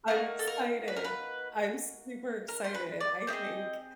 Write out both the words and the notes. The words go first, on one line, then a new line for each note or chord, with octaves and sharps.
I'm excited. I'm super excited, I think
A#3 D#4 F#4 A#4
A4
A#4
B4
A#4
B4
A#4
C5
B4
D5
C4 E4 D#5
G#4